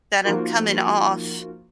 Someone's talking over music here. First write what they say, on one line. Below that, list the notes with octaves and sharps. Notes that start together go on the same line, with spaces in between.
that I'm coming off
F3 A#3 D#4 F4 F#4 A#4